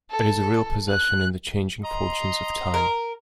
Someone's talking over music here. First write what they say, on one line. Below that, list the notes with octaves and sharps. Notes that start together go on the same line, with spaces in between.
It is a real possession in the changing fortunes of time.
A4
F#6
D#5 A#5 C6
A#4